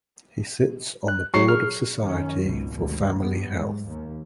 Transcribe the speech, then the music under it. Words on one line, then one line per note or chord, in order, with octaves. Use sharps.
He sits on the board of Society for Family Health.
F#6
F#3 C#6 C7
G#4 F6
F#2 D#3 C#4
G#1 C#2 B2
G#1 D2
G2 F#3 G3 B3
G#2
D#2